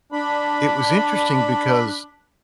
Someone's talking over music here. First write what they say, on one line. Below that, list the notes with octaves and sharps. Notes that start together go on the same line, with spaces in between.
it was interesting because
D4 B5